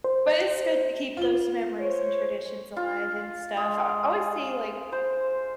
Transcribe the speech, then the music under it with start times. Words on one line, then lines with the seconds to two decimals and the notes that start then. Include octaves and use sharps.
but it's good to keep those memories and traditions alive and stuff. I I always say, like,
0.04 C5
1.17 F4 G7
1.79 C5 C#5
2.77 F4
3.57 G#3
4.92 C5